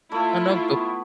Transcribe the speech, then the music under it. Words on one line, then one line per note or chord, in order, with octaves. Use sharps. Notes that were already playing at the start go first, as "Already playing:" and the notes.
Oh no, go
A3 E4 F4
B3